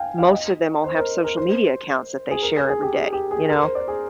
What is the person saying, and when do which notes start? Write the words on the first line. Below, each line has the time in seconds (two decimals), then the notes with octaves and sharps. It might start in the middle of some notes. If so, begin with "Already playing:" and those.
most of them all have social media accounts that they share every day, you know?
Already playing: F5 G5 G#5
0.18 F5
0.31 D#5
0.84 C5
0.98 A#4
1.24 A#4
1.38 C5
2.31 G#4
2.42 A#4
2.57 G#4
2.69 G#4
2.82 G4
2.96 G#4
3.13 G4
3.31 G#4
3.49 A#4
3.62 C5
3.75 D5
3.88 G#4